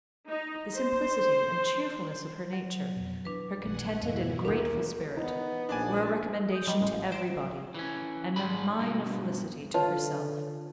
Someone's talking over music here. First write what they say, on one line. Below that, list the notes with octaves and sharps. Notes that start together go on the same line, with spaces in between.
The simplicity and cheerfulness of her nature, her contented and grateful spirit, were a recommendation to every body, and a mine of felicity to herself.
D#4
C5
F#3
F2 B2
E3 D4 B4
A#1 D#3 F#5 G#5
F2 G#2 B2 E3 F3 E4 D#5 F5
D#2 D4 A#4 F#5 G6
B3 D#4
A#1 D4 D5 G#5
D#6 G6
F3 G3 D#5
A1 G#3
A1 F5
C5 D7 E7
E3 C#4
G#2 G#3 B5
G2 B2
D3 F4 B4 C#5 A5